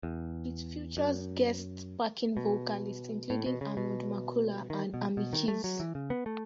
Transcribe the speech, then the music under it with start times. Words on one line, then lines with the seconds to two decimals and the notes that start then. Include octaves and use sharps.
It features guest backing vocalists, including Arnold McCuller, and Amy Keys.
0.03 E2
0.97 F#2
2.37 B2
3.30 A2
3.46 B2
3.61 C#3
3.77 B2
4.70 D#3
4.94 B2
5.17 B2
5.33 D#3
5.48 A3
5.64 F#3
5.80 E3
5.95 C#3
6.10 B3
6.26 A3